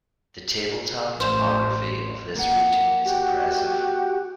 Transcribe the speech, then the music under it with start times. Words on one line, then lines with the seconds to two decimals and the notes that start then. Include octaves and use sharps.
The table top topography of this region is impressive.
1.20 A1 C5
2.35 A#3 F#5
3.06 F#4 G4